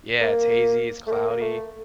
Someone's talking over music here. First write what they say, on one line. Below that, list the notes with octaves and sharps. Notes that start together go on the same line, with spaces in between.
Yeah, it's hazy, it's cloudy.
A#3
A3
A#3
A#3
A3